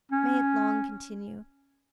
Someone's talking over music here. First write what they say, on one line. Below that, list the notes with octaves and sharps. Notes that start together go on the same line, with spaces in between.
May it long continue!
C#4